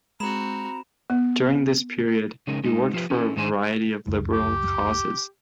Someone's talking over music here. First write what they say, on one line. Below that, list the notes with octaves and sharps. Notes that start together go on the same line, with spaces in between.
During this period, he worked for a variety of liberal causes.
G#3 C4 F#4 A#5 B5 E7
B3
C#3 G#3 C#4 D#4 A#4
G#3 D#4
F3 F4 G4 B4
C#4 E4 A4
G#2 D#3 G#3 D4 C5 G#5
F1 C#2 F#2
G4